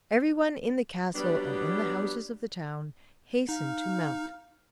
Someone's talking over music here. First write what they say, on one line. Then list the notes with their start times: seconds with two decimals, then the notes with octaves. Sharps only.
Every one in the castle and in the houses of the town hastened to mount.
1.15 F#3 G3 B3 D4
3.49 D#4 F5